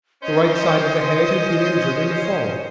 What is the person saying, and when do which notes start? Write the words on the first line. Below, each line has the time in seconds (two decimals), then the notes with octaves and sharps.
The right side of the head had been injured in the fall.
0.23 C#4 C5 D#5